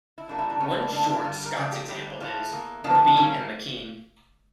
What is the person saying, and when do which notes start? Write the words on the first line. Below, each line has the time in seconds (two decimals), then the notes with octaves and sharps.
One short Scots example is "Robene and Makyne".
0.18 E4
0.28 A2 E3 G3 A#3 D4
0.39 E4
0.50 D4
0.60 C#3 E3 G3 C#4
0.71 D4
0.82 E4
0.92 G2 D3 G3 A#3 D4
1.03 D4
1.14 E4
1.24 G2 D3 G3 F4
1.35 G4
1.46 A#4
1.56 C#3 F3 A3 D5
1.72 G4
1.88 E2 D3 G3 A#3 G4
2.20 A2 E3 A3 F4
2.52 E2 E3 A#3
2.84 E2 D3 F3 A#3 D4
2.95 D4
3.07 D4
3.16 A#2 G3 A#3 C#4